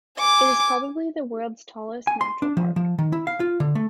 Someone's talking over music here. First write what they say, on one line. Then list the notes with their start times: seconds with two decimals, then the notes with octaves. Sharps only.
It is probably the world's tallest natural arch.
0.19 G#5 D6
2.07 G#5
2.21 C6
2.42 D4
2.57 F3
2.76 F3
2.99 D#3
3.12 E4
3.27 F5
3.40 F4
3.60 D3
3.75 A3